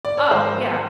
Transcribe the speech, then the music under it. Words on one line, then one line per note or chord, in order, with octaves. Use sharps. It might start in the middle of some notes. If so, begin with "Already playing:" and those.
Oh, yeah.
D5
C#5
G#2 D#3 G#3 C5